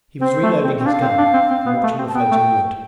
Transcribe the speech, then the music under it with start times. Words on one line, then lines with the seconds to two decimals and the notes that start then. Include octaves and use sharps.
He was reloading his gun and watching the floating wood.
0.20 C4 C5
0.43 A3
0.64 C4
0.80 C4
0.86 D4 F5
1.02 C4
1.18 D4
1.34 C4
1.50 C4
1.66 B3
1.83 A3
1.98 C4
2.09 A5
2.15 B3 G5
2.31 A3